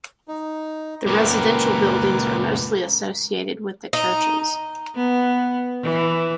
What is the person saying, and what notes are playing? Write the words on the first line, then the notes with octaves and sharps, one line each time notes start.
The residential buildings are mostly associated with the churches.
D#4
C#2 A#2 A#4 B4 D6
D#4
B3
E3